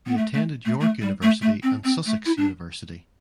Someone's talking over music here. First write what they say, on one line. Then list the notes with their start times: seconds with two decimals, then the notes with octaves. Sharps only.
He attended York University and Sussex University.
0.06 B3
0.17 A3
0.33 A3
0.65 A3
0.80 A3
1.01 G3
1.22 A3
1.42 A3
1.62 C4
1.84 C4
2.05 A3
2.25 E4
2.37 D4